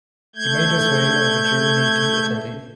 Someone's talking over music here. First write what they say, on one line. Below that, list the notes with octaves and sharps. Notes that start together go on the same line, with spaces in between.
He made his way over Germany to Italy.
A3 G6 G#6